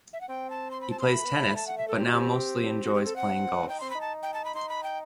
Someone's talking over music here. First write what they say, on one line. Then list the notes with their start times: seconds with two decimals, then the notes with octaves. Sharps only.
He plays tennis but now mostly enjoys playing golf.
0.13 E5
0.21 F#5
0.29 C4 G5
0.50 A5
0.71 C6
0.81 B5
0.91 A5
0.99 C6
1.04 B5
1.14 A3
1.24 B3
1.35 A3
1.56 A5
1.67 F#5
1.78 E5
1.88 A4
1.97 C4 G4
2.05 D#4 F#4
2.13 C4 G4
2.85 F#4
2.94 G4
3.05 A4
3.16 F#5
3.69 D#4 G5
3.80 C4 C6
3.90 D#4 B5
4.01 A5
4.23 G5
4.34 A5
4.45 B5
4.55 D#4 C6
4.69 B5
4.83 G5